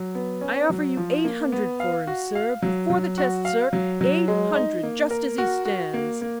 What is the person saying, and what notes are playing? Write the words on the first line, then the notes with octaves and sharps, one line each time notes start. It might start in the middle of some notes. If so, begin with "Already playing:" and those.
"I offer you eight hundred for him, sir, before the test, sir; eight hundred just as he stands."
Already playing: F#3
B3
C#4
F#3
F3
A#3
B3
F5
F#4
F5
F#3
F#3
F#4
F5
F#3
F#3
G#3
D#4
A#3
A#4
F#4
F#4
A#3
A#3